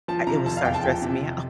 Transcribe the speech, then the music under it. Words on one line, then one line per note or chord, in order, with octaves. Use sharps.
I it will start stressing me out.
F3 A5
C3 A#5
F1 A5
F5
E2 G5
A5
F3 G5
C3
F1